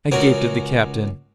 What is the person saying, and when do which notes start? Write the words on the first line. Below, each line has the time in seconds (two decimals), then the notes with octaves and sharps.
I gaped at the captain.
0.12 C#2 C#4 F#4 A#4